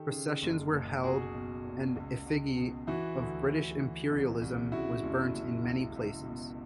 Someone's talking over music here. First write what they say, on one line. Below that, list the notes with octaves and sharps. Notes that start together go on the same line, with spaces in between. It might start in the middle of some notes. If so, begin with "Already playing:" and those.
Processions were held and effigy of British imperialism was burnt in many places.
Already playing: D#3 G4 A4
C#3
F#1
F#1
B1 F#4 G#4
B1
A#2
C#2
C#2
B2
E3 E4 F#4
D2
D2
E3
C2
C2
C#3 E4 F#4
F#1
F#1
C#2
C#2
B2